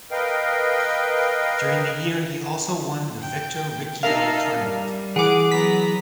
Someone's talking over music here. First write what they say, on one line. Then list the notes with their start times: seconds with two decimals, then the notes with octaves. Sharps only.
During the year he also won the Victor Riccio Tournament.
0.11 A#4 B4 D#5 F5 G5
3.19 G5
4.03 D#4 A4 A#4 E5 F5
4.61 G3
5.16 E3 G#4 F#5 D6
5.52 F#3 B3 A#5 B6